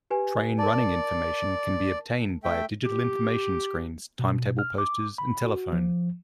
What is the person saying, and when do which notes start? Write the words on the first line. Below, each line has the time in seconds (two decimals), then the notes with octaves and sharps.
Train running information can be obtained via digital information screens, timetable posters and telephone.
0.11 G4 B4 G#5
0.59 A#4 D5 A5
2.44 A3 E5 G5
2.86 G4
4.19 B2
4.59 F6
4.78 D6
5.18 B5
5.44 F#4
5.73 F3